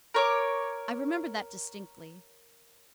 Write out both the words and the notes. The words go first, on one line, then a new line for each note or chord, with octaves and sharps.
I remember that distinctly.
A#4 C#5 D6